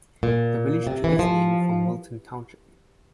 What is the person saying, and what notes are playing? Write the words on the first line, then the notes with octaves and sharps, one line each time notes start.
The village took its name from Milton Township.
A#2
C3
E3
F3